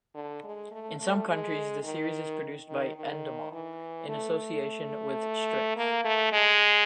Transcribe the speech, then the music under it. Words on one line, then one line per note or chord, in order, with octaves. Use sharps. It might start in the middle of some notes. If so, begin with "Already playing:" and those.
In some countries the series is produced by Endemol, in association with Strix.
D3
G#3
A3
A3
G#3
D#3
D#3
D#3
E3
A3
A#3
A3
G#3